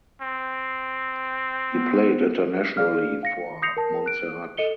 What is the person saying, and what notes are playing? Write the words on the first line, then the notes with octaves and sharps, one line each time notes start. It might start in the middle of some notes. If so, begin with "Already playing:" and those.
He played internationally for Montserrat.
C4
B3
G#4 D5 F5 F6
F5 A#6 C#7
D#6 G6 A#6 C7 C#7 F7
A#4 A5
F#6 D7
A4 D#5 C#7 G7